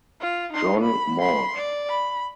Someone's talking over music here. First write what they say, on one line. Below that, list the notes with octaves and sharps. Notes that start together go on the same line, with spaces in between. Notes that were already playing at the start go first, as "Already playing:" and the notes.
John Maude.
F4
D#4 C6
B5
B5 C6
D5
B5